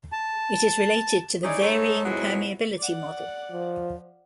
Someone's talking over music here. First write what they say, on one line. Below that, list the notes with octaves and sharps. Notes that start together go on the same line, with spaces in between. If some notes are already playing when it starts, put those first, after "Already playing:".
It is related to the Varying Permeability Model.
A5
C#4 D#4 E4 G#4 D5 D#5
G#2 D#4 A4 C#5
F2 B2 F#3 G#3 E4
D5 F#5
F3